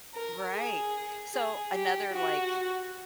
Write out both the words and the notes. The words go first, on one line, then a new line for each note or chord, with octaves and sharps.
Right. So, another, like,
A#4
G#4
G#4
G4
F#4